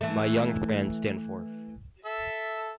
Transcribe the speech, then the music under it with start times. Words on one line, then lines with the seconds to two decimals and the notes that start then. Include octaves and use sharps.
My young friend, stand forth!
0.01 E3 A3
2.05 A4 E5